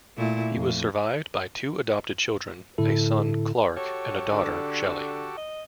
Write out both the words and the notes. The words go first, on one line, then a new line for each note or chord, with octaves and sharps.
He was survived by two adopted children, a son, Clark, and a daughter, Shelley.
A#2 A3 E4
F2
A2 D3 E4 A4
F#4 G4 A4 C#5
D3
D#5